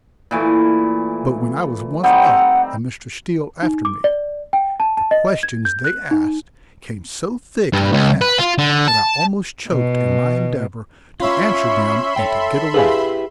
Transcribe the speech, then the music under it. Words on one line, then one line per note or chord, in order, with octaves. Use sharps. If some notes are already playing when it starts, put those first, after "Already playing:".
But when I was once up and Mr. Steele after me, the questions they asked came so thick and fast that I almost choked in my endeavor to answer them and to get away.
A#2 E3 A3
G3 C4 D#4 F#5
D#4
D6
D5
G5
A5
A5
D#5
G#6
G6
F#6
D#4
G2
C#2
B4
F4
D3
A5
B2
C#4 F4 E5 B5 C6
A4 C#5 G5
E4 G4 G#4 B4 F5 G#5